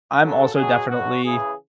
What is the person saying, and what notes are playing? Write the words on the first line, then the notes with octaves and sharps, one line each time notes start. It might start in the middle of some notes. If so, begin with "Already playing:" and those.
I'm also definitely
C#3 F#3 A4
B2 F#3 G#4
B2 F#3 F#4
C#3 E3 G#4